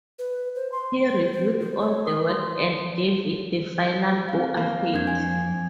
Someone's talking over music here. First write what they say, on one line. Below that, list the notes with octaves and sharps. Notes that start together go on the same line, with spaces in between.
He reviewed all the work and gave it the final go-ahead.
B4
C5
C6
C5
C5
C5
C#5
D#6
C6
C4 F5
A#3 F5
F2 C4 D4 G#6
G#5 G#6